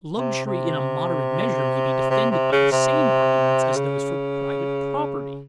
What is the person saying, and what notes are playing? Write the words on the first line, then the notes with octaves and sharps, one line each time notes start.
Luxury in a moderate measure may be defended by the same arguments as those for private property.
C3
C3
C3
C3
C#3
C3
C#3